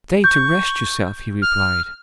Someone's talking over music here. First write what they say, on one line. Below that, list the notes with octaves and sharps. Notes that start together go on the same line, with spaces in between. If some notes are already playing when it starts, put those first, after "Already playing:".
'Stay to rest yourself,' he replied.
C#6 G6
F6